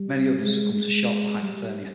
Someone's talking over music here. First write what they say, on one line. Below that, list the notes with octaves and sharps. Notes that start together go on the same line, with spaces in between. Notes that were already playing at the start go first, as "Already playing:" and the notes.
Many others succumbed to shock or hypothermia.
Already playing: G3
G#3
G#3
G3